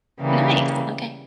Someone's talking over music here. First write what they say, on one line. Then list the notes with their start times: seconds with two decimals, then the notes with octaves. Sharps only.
Nice, okay.
0.20 C#3 E3 G3 A#3